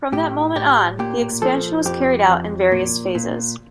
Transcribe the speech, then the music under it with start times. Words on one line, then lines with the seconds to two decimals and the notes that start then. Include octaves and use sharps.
From that moment on, the expansion was carried out in various phases.
0.12 A2 G4
0.56 A2 G4
0.99 A#2 G4
1.42 F3 A4
1.85 F2 G4
2.28 F2
2.72 A#2
3.15 A#2